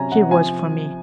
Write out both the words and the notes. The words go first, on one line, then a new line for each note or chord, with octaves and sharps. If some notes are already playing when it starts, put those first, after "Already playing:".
She was for me.
Already playing: C3 F#3 C#4 G#5 A#5
C3 F#5
F3 G#5